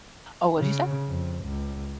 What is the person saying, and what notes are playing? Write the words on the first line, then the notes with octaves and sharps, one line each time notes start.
Oh, what did you say?
C#3
F2
C#2